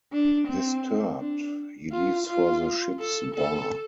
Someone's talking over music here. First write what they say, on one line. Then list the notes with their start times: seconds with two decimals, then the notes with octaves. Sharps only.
Disturbed, he leaves for the ship's bar.
0.12 D4
0.48 C4
1.20 D4
1.92 F4
2.27 F4
2.99 A4
3.35 A4